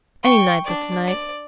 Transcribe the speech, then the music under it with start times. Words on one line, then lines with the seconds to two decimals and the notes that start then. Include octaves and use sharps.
Any night but to-night.
0.23 G5 C#6
0.65 D4 D5
1.07 D5